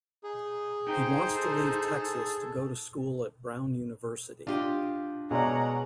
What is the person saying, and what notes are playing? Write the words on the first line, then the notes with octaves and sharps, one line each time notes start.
He wants to leave Texas to go to school at Brown University.
D#4 G#4
D#4 C5 G5
A4
D4 F4 G4 D#5
B2 G#3 C#5 D5 F#5 A#5